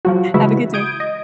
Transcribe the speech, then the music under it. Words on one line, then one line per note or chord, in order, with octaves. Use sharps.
Have a good day.
F3 F#3 F#4
C#3 E3 G#3 E4 F#4 B4
D#6 G6 G#6 D7
D#5